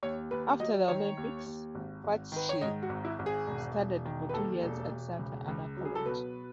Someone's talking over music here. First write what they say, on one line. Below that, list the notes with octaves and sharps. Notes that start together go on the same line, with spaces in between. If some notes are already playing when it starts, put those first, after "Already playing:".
After the Olympics Furtsch studied for two years at Santa Ana College.
D#2 C#5
D#2 B4
F#3 D#5
D#3 C#5
D#2
D#2
G#1
G#1
D#3 B4
C#5
G#2 D#5
F#4
G#1
E4
G#1
G#4
E1
E1
D#3
B4
D#2 A4
E1
E1
C#2
C#2
F#3
G#4
A4
B2 B4